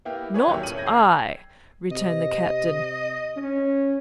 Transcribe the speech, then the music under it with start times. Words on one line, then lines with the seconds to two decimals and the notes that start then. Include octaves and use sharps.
"Not I," returned the captain.
0.05 A#3 B3 E4 G4 F5 G5
0.34 G#4 B4 C#5 D5 G5
0.48 D#2 F#3 A#3 G4 C#5 E5
0.63 A2 C#4 D#7 F#7
0.75 D#1 G6 G#6 A#6
0.86 G5 E6 G#6 C7
1.91 C3 D#5
3.37 C#4